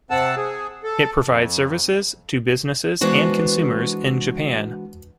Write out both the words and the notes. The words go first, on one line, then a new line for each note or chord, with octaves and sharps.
It provides services to businesses and consumers in Japan.
C3 C4 F#5 A5 E6
G#4
A4
F2
E3 G#3 B3 D4 F#4 C5